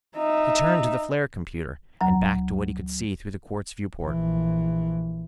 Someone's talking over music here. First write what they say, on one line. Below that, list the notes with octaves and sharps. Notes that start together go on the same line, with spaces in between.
He turned to the flare computer and back to what he could see through the quartz viewport.
D#4 E5
D2 F#3 A#5
A#1 E3